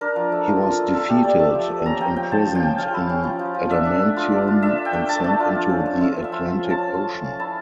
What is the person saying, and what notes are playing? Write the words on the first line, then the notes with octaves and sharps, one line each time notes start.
He was defeated and imprisoned in adamantium and sunk into the Atlantic Ocean.
D4 A#4
F3
A3
F3
F4
A3
A3 A4
A3 G4
A3 D5
A3 E5
F3
A3
C#4 A#5
F3 G5
F3 G5
F3 A5
F3
G5
C#4
F3 F5
E4
C#4
F3
F3
F3
D4 E5
D4
A3
F4
D4
F4
D4 E5
D4
G5
A3
A3 A5
D4
F4
F3
C#4
A3
F4 E5
F3
E5
F4
F3
C#4
A5
C#4
F4
F4
C#4
E4 A5